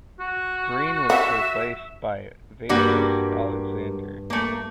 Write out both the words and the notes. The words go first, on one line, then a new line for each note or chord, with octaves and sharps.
Green was replaced by Vassos Alexander.
F#4
E5 F#5
G2 G3 A#3 F#4
A3 A#3